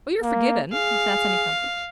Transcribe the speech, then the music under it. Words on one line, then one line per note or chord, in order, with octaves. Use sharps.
"Oh, you're forgiven--if that's any comfort."
A#3
G#4 F5